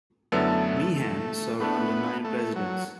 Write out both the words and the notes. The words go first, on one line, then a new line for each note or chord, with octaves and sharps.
Meehan served under nine presidents.
F#2 D3 A3 B3 E4
A3
A2 A3 B3 D4
A3
F#3